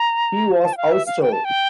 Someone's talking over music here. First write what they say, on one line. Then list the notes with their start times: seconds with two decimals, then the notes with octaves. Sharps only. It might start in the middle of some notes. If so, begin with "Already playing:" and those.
He was austere.
Already playing: A#5
0.64 A5
0.73 G5
0.77 F5
0.92 E5
1.06 F5
1.21 G5
1.32 A5
1.45 G5